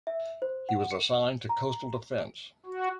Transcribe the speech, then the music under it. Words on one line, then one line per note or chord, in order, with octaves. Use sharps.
He was assigned to coastal defense.
E5
C5
F#5
C#7
A#5
F#4